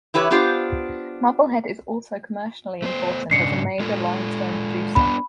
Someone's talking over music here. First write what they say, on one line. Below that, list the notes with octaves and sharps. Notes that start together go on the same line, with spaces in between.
Marblehead is also commercially important as a major limestone producer.
E3 E4 G4 B4 C#5
B3 D4 F4 G4 C5
A3 B3 C5
G#2 C#3 D4 C7 C#7
G#3 F4 A4
B3 D4 B5